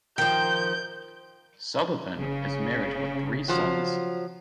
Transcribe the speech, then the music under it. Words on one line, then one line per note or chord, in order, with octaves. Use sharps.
Sutherland is married with three sons.
D#3 F3 G5 G6
F#1 C#3
F3 F#3